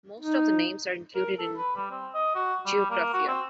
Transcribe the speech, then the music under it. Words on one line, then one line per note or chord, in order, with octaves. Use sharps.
Most of the names are included in "Geographia".
D#4
A#4
A4
B4
G3
C4
D#5
F#4
G3
A#3
F#4
C4